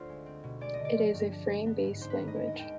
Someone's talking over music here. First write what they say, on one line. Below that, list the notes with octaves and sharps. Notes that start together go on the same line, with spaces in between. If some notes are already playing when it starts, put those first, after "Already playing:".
It is a frame-based language.
Already playing: D2 F4 C5
G#3
C4
B2
G#3 D5
D#5
D3
D5
F3
G2
D4
G3
B3
G#2
D4 C5
B4
D#3
D#5
G#3
D#5
D#2
G5